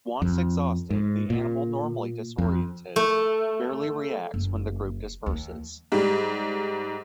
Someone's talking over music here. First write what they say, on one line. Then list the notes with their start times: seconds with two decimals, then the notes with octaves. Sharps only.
Once exhausted, the animal, normally disoriented, barely reacts when the group disperses.
0.22 F2
0.90 G#2
1.30 A#2
2.38 F2
2.96 A3
4.34 F#1
5.26 D#2
5.92 G#2 G3